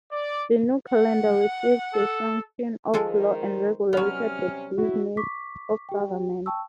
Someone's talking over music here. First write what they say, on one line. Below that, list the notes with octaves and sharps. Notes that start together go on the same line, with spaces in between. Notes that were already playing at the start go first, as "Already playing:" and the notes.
The new calendar received the sanction of law and regulated the business of government.
D5
F#5
A4
D#3 F3 G#3 A4 A#4 C5
C3 F#3 G3 B3 C#4 F6
A2 E4 F#4
C#6 D6 B6
G4 G5
G5 A5 C#6 E6